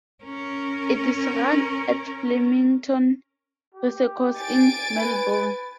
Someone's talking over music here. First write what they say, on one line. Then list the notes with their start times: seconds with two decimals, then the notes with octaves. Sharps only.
It is run at Flemington Racecourse in Melbourne.
0.24 C#4 A#4
3.75 G4
4.37 G#5 A6 D7
4.97 B4